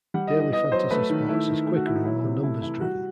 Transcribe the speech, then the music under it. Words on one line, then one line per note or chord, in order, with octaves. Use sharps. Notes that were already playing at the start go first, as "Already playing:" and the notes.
Daily fantasy sports is quicker and more numbers-driven.
G3 F#5
D#5
E3
D#5
B3 D#5
F#3 C5
A3 B4
D#3
A3 E4
D#3
A3
F#4
E3 E4
D#4
F#3 E4
C3
A3 E4
E3 E4
G3 F#4